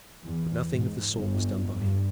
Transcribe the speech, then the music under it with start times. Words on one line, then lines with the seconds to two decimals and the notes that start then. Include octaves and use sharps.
But nothing of the sort was done by him.
0.23 E2
0.68 G#2
1.12 G1
1.78 G2